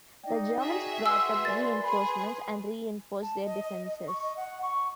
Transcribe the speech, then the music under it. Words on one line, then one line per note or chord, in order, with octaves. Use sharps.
The Germans brought up reinforcements and reinforced their defences.
D#4 D5 D#5 G5
F#4 G#4 E5
B4 C6 E6
A#4 D5 G#5 A6
G#4 G#5 B5
A5
D#5
D#5
C#6
D#5
F#5
C#6